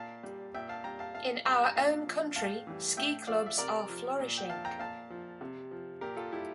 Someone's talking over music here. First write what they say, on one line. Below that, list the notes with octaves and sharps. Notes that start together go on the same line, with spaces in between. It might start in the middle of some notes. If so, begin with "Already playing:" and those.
In our own country ski clubs are flourishing.
Already playing: A#2 F5 A5
G3
A#2 E5 G5
F5 A5
G3 G5 A#5
F5 A5
A#2 F5 A5
G3 G5 A#5
A#5
A#2 F5 A5
F3
A2 F5 A5
E3 G3
A2 E5 G5
F3 D5 F5
E5
C3 A#4 D5
F3
A#2
G5
F3 F5 A5
G5 A#5
A#2 F5 A5
F3
C3
F3
A#2 G4 A#4
F4 A4
G3 E4 G4